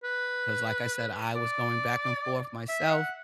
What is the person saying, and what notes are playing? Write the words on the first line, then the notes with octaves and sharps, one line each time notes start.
'cause like I said, I was going back and forth myself,
B4
D5
E5
F#5